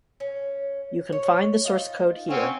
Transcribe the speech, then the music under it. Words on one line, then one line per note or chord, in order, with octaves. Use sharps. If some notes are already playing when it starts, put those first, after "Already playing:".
You can find the source code here.
C#4
C#5
D#4 F4
C4 C#4 F#5